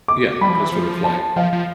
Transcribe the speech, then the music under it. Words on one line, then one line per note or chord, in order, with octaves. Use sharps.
Yeah, just for the flight.
D6
G3 B5
F3
E3
F3
A5
F3 F5
F3